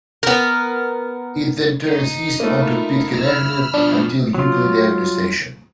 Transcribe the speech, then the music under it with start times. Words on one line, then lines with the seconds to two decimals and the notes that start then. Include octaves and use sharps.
It then turns east onto Pitkin Avenue until Euclid Avenue station.
0.23 B3 A#4
1.87 D#4
2.40 A3 A#3 E4 F4
3.14 B5 E6 F6
3.74 B2 F3 D4
4.35 F#3 F4